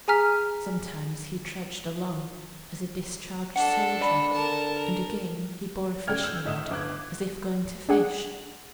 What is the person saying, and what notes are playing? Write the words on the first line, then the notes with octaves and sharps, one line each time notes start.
Sometimes he trudged along as a discharged soldier, and again he bore a fishing-rod, as if going to fish.
G#4 G#5 A#5 F6 B6
D4 A4 F#5
D3 D5 B5
A#4 A5
A#4
C#3 A3 D5 G5 F6 G#6
E6 G6
A2 D#4 E5 D#6 E7
G1 D6 F#6 G#6
D4 G#4 F#5